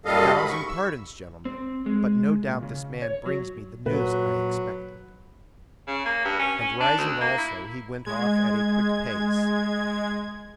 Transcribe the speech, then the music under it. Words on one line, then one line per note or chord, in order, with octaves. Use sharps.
"A thousand pardons, gentlemen; but no doubt this man brings me the news I expected." And rising also, he went off at a quick pace.
F#2 A#2 G3 A4 D#5 F5
G#2 B5
C#6
E6
C4
G#3
A#2
C#3
C#5
F#3
A#2 F#3 B4
C#3
A#3
G2
C#4
C#4
D4
D2
A#3
E4
G#3 G#6